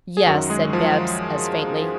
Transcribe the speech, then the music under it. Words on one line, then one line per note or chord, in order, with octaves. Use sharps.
"Yes," said Bibbs, as faintly.
G#4
F#2 D#3 F#3 F#4
G#3 G#4
F3 F4